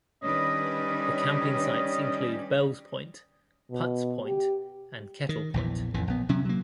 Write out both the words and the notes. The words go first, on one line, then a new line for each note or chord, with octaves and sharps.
The camping sites include Bells Point, Putts Point and Kettle Point.
D#3 G3 C#4 D4 B4 D#5
B2
G4
D#3
A#1 E2 E3
A1 F2 E3
A#1 B3
C3 F#3 C#4
F#3 A#3